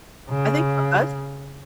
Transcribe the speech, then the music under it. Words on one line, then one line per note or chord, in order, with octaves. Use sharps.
I think for us
C#3